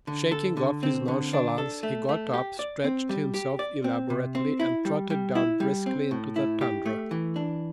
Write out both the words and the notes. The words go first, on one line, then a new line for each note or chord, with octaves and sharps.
Shaking off his nonchalance, he got up, stretched himself elaborately, and trotted down briskly into the tundra.
D3
A4
D3
C4
D3
D4
A4
A3
A3
G4
D5
C4
G3
G4
D5
C4
C3
C4
E4
G3
G3
E4
G3
C4
A2
E4
G4
A3
E3
D4